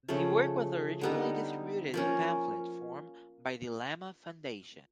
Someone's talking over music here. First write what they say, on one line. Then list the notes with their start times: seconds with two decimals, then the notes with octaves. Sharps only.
The work was originally distributed in pamphlet form by the Lama Foundation.
0.08 C#3 F3 A3
1.01 D3 G3 B3 D#4
1.94 F3 A#3 C#4